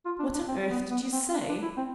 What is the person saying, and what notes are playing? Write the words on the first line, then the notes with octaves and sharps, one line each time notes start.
"What on earth did you say?"
F4
D4
D4
C4
B3
B3
C4
D4
D4
E4
C4